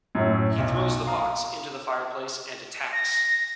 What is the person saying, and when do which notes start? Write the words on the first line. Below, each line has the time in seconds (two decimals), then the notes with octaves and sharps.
He throws the box into the fireplace and attacks.
0.15 F#2 A2 F#3
0.58 B1
1.07 F5 A#5 D#6
2.93 A#6